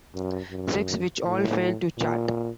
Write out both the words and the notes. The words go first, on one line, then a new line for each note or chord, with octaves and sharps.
Sex, which all failed to chart.
F#2
F#2
A2
A#2